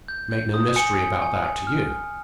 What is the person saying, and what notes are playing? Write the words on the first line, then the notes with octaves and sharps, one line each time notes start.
I make no mystery about that to you.
G6
G6
D#6
G#5 C#7
G#5
G#5
G#5
F6
G#5